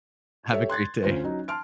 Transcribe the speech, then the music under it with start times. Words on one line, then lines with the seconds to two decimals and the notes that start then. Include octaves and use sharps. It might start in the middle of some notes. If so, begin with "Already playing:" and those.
Have a great day.
0.52 G4 A4 C#5 E5
0.69 C6 F#6 G#6 A6
1.03 D2 C#4 F4 C5
1.24 F#3 C#4 D#4
1.48 A5 C6 F6 D7